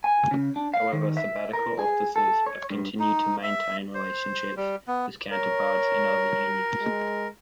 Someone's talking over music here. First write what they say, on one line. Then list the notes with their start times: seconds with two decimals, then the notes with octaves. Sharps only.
However, sabbatical officers have continued to maintain relationships with counterparts in other unions.
0.04 G#5
0.31 C#3
0.56 D4
0.74 F5
0.92 D#3
1.17 E5
1.53 A#4
1.79 G#4
2.16 A4
2.46 C#5
2.70 G2
3.00 D#4
3.43 E5
3.95 C5
4.57 G3
4.88 B3
5.31 A#4 C#5
6.81 G#3